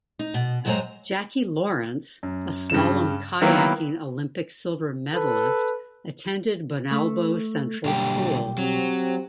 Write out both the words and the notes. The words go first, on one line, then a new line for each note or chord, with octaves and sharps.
Jacqui Lawrence, a slalom kayaking Olympic Silver medalist, attended Bonalbo Central School.
D#4
B2
G2 F#3 G#3 C5 G#5 A#5
F#2
G2 C#3 E7
D#3 F#3 A#3 B3 E4
A4 B4
A3
B1 D3 G3 A#3 G4 G5
F#3 C4 G4